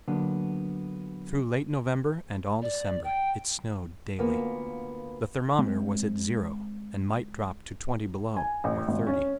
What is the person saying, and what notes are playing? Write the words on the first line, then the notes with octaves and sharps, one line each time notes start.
Through late November and all December it snowed daily; the thermometer was at zero and might drop to twenty below, or thirty.
D3 F#3 A#3 B3 D4
D5
G5
D2 A#3 B3 F4
G#3 C4
G#5
A1
G#1
C#4